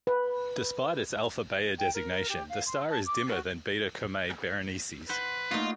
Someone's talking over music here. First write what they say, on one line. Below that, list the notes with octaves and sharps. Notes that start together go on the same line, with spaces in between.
Despite its Alpha Bayer designation, the star is dimmer than Beta Comae Berenices.
B4
G5
A#4
G4
F5
C6
A5
D6
F#4
B4 C5 F#5 C6
A3 A#3 D#4 F4 F#4